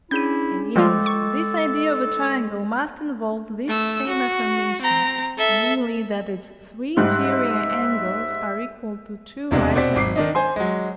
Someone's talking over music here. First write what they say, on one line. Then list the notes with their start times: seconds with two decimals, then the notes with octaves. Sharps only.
Again, this idea of a triangle must involve this same affirmation, namely, that its three interior angles are equal to two right angles.
0.11 C#4 D4 E4 G#4 G6 D#7
0.76 F3 G3 G#3 F4 A4 G5 D6
1.06 C#6
3.68 A3 E6
4.08 F#4
4.82 C4 A#5
5.38 A4 E5
6.97 G#2 G3 E5 F#6
9.51 E1 D#2 C3 G#3 D4
9.75 B2 C4 D5 B6
9.96 G#1 D6 C7
10.16 D#3 D4 D#4
10.35 C5 G#5 C6
10.56 F#3 G#3